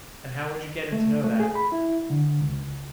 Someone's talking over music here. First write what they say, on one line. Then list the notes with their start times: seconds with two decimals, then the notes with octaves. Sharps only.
"And how would you get him to know that?"
0.92 A3
1.24 A3
1.40 G#4
1.55 B5
1.72 E4
2.10 D3
2.41 C#2